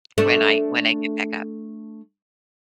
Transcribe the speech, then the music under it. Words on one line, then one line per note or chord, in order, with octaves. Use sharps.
when I when I get back up.
A3 D4